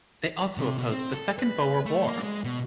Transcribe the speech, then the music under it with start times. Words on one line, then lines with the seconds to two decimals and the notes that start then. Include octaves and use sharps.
They also opposed the Second Boer War.
0.58 C3
0.78 B2
0.92 C4
1.14 A4
1.39 B4
1.86 A3
2.07 A#3
2.23 G#3
2.44 B2